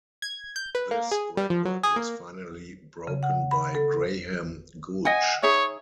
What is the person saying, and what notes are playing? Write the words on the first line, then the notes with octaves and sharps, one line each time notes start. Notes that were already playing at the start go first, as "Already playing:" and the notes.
This record was finally broken by Graham Gooch.
G#6
G6
B4
A#3
G#4
G3
F3
F#3
G#4
A#3
C#3
F#5
B5
A4
D#5 F#5 G#5
D#4 G#4 C#5 E5